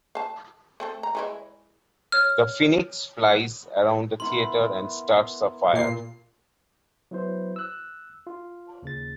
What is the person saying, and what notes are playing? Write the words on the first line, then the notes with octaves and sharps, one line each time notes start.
The Phoenix flies around the theatre and starts a fire.
F5 A5
A3 C4 A4
A#5
E3 G#3 E4
C#5 F6
B3 E4 A#4 C6
A#2 A#3 C7
F#3 B3 E4 B4 C5
E6 F#6
F4
D#2 C#3 A6